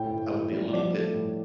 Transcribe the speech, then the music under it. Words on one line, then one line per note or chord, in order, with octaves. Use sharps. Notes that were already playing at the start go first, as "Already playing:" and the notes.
I would be a little bit
Already playing: A2 G5
A2
A2
G3
F3 D5
A3
A2